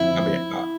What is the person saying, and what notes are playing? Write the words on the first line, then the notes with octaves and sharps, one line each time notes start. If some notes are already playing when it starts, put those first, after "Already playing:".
I mean, I
Already playing: F2 D3 F3 C4 E4